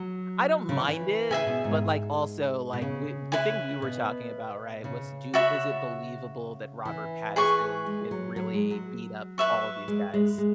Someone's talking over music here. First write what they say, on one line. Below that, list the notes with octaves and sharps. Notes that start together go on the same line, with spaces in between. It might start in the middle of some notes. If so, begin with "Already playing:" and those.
I don't mind it, but, like, also, like, we the thing we were talking about, right, was do is it believable that Robert Pattinson can really beat up all these guys?
Already playing: F#3
C#3
E3
C#3 G#4 E5 G#5
B2
G#2
B2
C#3
E4 B4 G#5
B2
C#3
F#4 E5 B5
E3
G#4 B4 G#5 C#6
G#3
F#3
F#3
G#3
F#3
B4 E5 C#6
G#3
G#3
G#3